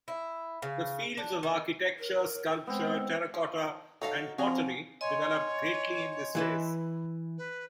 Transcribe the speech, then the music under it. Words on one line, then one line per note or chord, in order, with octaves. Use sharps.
The fields of architecture, sculpture, terra cotta, and pottery developed greatly in this phase.
E4
C#3
D4
D#3
A#4
G#3 B3 C4
F3
F#3 D#4 A4 F5 A#5
F3 C4 F#4 G#4
C#5 D#5 G#5 C6
E3 E4 B4
B4